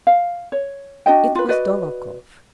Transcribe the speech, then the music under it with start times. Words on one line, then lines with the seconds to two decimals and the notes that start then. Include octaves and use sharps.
It was Dolokhov.
0.07 F5
0.52 C#5
1.06 D4 F#4 D#5 G5
1.35 F4 B4
1.49 F#4 B4 D5 D#5